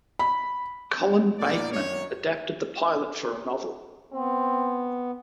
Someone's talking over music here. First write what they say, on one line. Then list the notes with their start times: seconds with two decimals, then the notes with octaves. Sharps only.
Colin Bateman adapted the pilot for a novel.
0.19 B5
1.38 A#2 A#3 B3 D4 A#4 D5
1.72 F#2 D#3 C#5
4.13 B3 C4